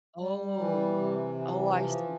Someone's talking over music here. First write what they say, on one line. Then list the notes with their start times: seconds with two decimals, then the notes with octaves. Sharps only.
Oh. Oh, I see.
0.19 G3
0.57 E3
0.96 C3
1.35 E3
1.73 F3